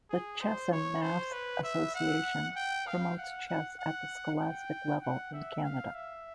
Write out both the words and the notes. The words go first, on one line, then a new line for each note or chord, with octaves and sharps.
The Chess'n Math Association promotes chess at the scholastic level in Canada.
G#4
C5
C#5
C5
B4
E5
F#5
G5
F5
F#5
F#5
F#5
G5
F#5
E5
F5
E5